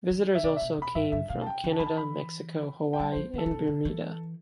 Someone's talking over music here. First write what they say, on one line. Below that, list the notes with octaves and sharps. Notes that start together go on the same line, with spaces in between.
Visitors also came from Canada, Mexico, Hawaii and Bermuda.
E3
E5
C3 D5
E5
B2
B2 B5
G2 E5
G2 E5
B2 F5
A5
G5
D3
A5
E3 B5
A5
B5
G5
G3 A5
F3 C5
D3
A4
D3
C3
D3
E3